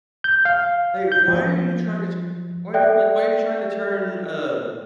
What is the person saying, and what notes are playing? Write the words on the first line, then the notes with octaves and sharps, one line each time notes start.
Like, why are you trying to tu why are y like, why are you trying to turn a
G6
F5
G6
F3
A4 D5 E5 G5 F#6